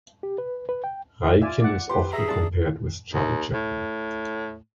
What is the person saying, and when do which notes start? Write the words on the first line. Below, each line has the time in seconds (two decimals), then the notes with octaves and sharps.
Raikin is often compared with Charlie Chaplin.
0.23 G4
0.38 B4
0.69 B4
0.84 G5
1.41 F4 D5 E5 G#5
1.60 D5 F#5
1.90 G4 B4 C6
2.13 G#4 E5 A#5
2.28 D4 A5
3.14 D#2
3.54 A2